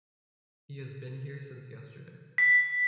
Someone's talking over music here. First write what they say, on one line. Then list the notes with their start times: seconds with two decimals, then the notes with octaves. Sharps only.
He has been here since yesterday.
2.38 B6